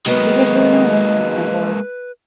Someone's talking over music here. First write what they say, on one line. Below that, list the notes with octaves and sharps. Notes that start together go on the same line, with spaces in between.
do you guys really wanna learn how to snowboard?"
D#3 F#3 G#3 A#3 B3 B4 D#5